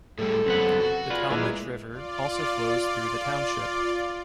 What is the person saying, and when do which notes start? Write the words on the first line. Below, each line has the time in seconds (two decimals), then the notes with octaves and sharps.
The Talmadge River also flows through the township.
0.18 A2 G3 G#3 A4
0.46 F#2 C#3 B3 C4 B4 F#5
0.80 F#4
1.10 F4 G#4 B4 D5
1.30 A#2 G#3 A#3 E4 B4
1.88 F4 D5